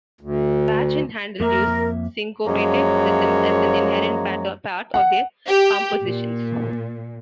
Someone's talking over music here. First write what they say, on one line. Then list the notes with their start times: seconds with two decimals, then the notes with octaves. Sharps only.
Bach and Handel used syncopated rhythms as an inherent part of their compositions.
0.21 D2
1.40 F2 A#3 A#4 E5
2.46 F#2 F3 G#3 A#3 C#5 A#5
4.94 F#5
5.48 G4
6.05 A#2